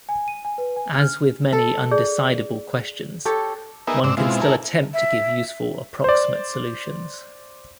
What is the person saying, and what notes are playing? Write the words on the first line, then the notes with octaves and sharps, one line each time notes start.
As with many undecidable questions, one can still attempt to give useful approximate solutions.
G#5
D#7
G#5
B4
G#5
F6
A4
G#4 D5
G4 A4 C#5
B3 D#4 G#4 A#4 E5
G#2 C4 D5 E6
B2 G#3 C4 E4 F4
E4 A4 A#4 G#5
E5
C5 D5